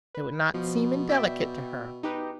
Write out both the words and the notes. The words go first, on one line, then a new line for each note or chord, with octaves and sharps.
It would not seem indelicate to her.
B4
B2 F3
D5 E5 G5
D#4 G4 B4